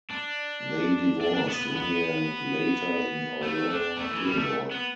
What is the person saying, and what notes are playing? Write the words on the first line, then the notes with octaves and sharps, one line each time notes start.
They divorced one year later in Aurora Illinois.
D4
D4
D4
B3
B3
B3
A3
D4
A3
E3
G3
A3
B3